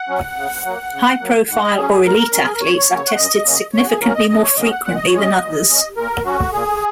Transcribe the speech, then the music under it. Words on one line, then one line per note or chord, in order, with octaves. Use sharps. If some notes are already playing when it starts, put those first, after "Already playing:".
High-profile or elite athletes are tested significantly more frequently than others.
Already playing: F#5
F#3 C#4
C#3
F#3 A#3
C#3
F#3 A#3
G#2 F#5
D#5
F#3 C#4 G#4
G#4
G#2 A#4
F#3 C#4
G#4
A#4
F#2 C#5
C#3 F#3 A#3 C#4
F#5
F#2 D#5
C#3 F#3 A#3 C#4
F#2 C#5
F#4
G#4
C#3 F#3 A#3 C#4 A#4
D#5
F#2 D#5
C#5
C#3 F#3 A#3 C#4 D#5
F#5
A#2 F#5
D#5
C#5
G#3 C#4 D#5
A#2
G#3 C#4
A#2 A#4
F#3 C#4 F#4
A#2 G#4